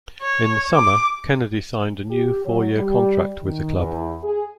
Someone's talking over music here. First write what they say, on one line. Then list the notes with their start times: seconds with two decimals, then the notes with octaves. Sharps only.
In the summer Kennedy signed a new four-year contract with the club.
0.22 C#5
0.74 D6
2.10 G4
2.44 F#3
2.76 G3
3.41 D#3
3.76 E2
4.23 G#4